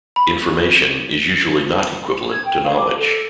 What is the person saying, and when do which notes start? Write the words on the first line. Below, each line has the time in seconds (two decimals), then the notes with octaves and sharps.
"Information" is usually not equivalent to "knowledge".
0.16 B5
2.31 G#6
2.45 G5
2.64 F5
2.77 D6
2.97 A4